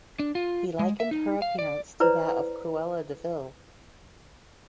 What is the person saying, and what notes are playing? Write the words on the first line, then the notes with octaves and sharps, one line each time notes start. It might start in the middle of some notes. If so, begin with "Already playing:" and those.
He likened her appearance to that of Cruella de Vil.
D4
F4
G#3
E5
D#4
F5
D5
E4 B4 C5 D5 A#5